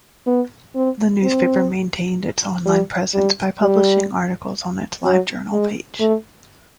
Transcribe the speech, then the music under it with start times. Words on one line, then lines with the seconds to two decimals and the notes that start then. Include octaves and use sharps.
The newspaper maintained its online presence by publishing articles on its LiveJournal page.
0.27 B3
0.75 C4
1.23 C4
2.66 G3
3.14 G3
3.61 G3
5.04 F#3
5.52 G#3
6.00 A3